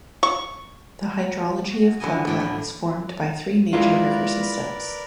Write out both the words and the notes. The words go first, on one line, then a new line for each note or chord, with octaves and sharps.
The hydrology of Puebla is formed by three major river systems.
C#6
F#4
D3 E3 B3 E4 D#5 G#5
A2 F3 D4 E4
D3
G#3 E4 F4 A#4 B4 D5